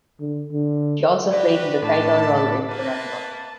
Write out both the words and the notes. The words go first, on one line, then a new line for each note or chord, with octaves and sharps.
She also played the title role in "Turandot".
D3
D3
F#4 G4 B4 D5
A2 D4 A5 B5
A#3 B4 A5